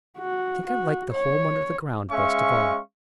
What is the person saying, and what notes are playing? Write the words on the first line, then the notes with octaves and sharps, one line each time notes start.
"I think I liked the home under the ground best of all."
F#4
F#4
C#5
G#3 C#4 E5 F5 C#6